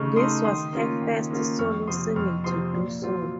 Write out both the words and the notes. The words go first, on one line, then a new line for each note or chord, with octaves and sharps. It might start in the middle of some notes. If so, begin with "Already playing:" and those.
This was her first solo single to do so.
Already playing: C#3 A3 D#4 C#6 F6
A3 D#4 C6 D#6
D#3 C6 D#6
A#3 C#4 F4
D#3
A#3 C#4 F4
F2 C#6 F6
C3 F3 C4 C6 D#6
F2 C#6 F6
C3 F3 C4 C6 D#6
A#2
F#3 C4 F4